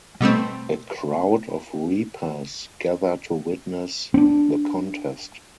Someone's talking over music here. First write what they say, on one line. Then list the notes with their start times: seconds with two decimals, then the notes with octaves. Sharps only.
A crowd of reapers gather to witness the contest.
0.21 B2 G3 A3 C4
4.14 C4 D4